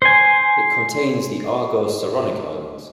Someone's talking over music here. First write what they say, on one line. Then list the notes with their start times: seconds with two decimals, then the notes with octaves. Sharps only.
It contains the Argo-Saronic Islands.
0.02 C5 G#5